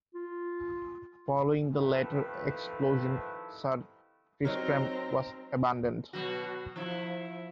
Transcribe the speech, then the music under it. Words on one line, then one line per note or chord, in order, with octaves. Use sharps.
Following the later explosion, "Sir Tristram" was abandoned.
F4
C3 D#3 F3 A3 E4 B4
F#3 C4 D#4 A#4 C#5 A#5
B2 F#3 F#4
F3 E4